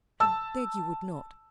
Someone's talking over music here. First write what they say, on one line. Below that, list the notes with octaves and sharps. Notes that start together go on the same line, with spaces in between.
I beg you would not.
A5 E6